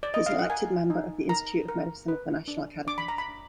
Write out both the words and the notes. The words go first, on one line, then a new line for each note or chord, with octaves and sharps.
He is an elected member of the Institute of Medicine of the National Academies.
D5
D#5
F5
F#5
A#4 G#5
D#4
A#4 A#5
A#4
B4
D4
D4 D6
B5
A#5
B5
D4